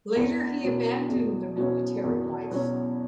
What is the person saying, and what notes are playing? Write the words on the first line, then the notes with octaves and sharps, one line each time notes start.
Later he abandoned the military life.
E2
B2 F#3 C#4
E2
B2 F#3 C#4
E2
B2 F#3 C#4